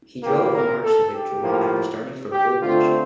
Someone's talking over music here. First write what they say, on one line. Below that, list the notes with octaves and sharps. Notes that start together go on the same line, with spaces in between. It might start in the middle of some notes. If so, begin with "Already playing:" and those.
He drove a March to victory after starting from pole position.
A2 E3 A#3 G4
A#4
A4
G4
A2 F3 A#3
G4
D3 A3 C4 F4